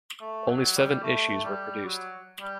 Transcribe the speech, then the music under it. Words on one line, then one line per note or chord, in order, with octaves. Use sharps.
Only seven issues were produced.
A3
F#3
G3
A3
G3
F#3
G3